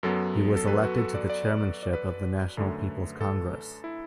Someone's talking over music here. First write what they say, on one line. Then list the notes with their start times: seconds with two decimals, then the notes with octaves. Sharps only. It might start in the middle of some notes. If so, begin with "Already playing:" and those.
He was elected to the chairmanship of the National People's Congress.
0.03 F#2 F#3 B3 A4
0.56 A4
0.67 B4
0.83 F#4
0.98 A4
1.14 D5
1.30 D5
1.83 D5
1.93 B4
2.57 F#2 D3 A3
3.21 A4
3.84 E4